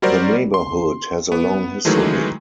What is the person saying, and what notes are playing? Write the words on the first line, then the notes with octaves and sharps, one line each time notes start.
The neighbourhood has a long history.
F#3 G3 F#4 A#4 C5 D5
C6
B3
D#3 E3 F#3 G#3 A3